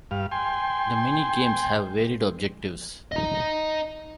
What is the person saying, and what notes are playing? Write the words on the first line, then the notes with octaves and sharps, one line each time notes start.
The mini games have varied objectives.
G2 F5
G5 G#5 C6
D#5 A#5